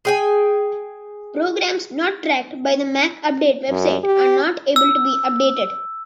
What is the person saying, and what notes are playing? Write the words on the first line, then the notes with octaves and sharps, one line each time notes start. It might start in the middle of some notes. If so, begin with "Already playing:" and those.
Programs not tracked by the MacUpdate website are not able to be updated.
G#4 G5 G#5
F#2
G4
E6